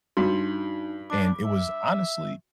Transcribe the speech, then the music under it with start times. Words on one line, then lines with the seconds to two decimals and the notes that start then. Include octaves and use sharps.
and it was honestly,
0.17 G2 D4 D#4 F#4
1.10 D4 D6
1.42 E5